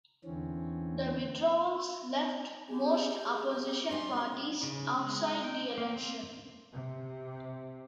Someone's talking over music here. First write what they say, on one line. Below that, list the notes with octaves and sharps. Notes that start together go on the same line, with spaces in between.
The withdrawals left most opposition parties outside the election.
E2 D3 E3 C4 C#4
G4 G#4
B2 G3 C#4 C6
C#3
G#3
G5
A#3
C4
C3